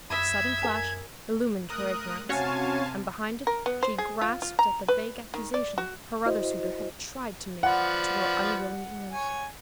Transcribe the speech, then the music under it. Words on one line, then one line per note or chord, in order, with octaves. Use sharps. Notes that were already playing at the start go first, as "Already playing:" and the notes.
A sudden flash illumined her ignorance, and behind it she grasped at the vague accusation her other suitor had tried to make to her unwilling ears.
F#2 E5 B5 D#6 E6 G#6
A#4 G#5 E7
A3 A#4 D#6 F#6
C3 C4 C#4 F#4 C#5 F5 G#5 A5
A#4
B3
C5
G#4
F4
F4
A#5
B4
D#3
D5
F#4
E4 F#4 C5 D#5
F3 B4 D5 F#5
C#5 G#5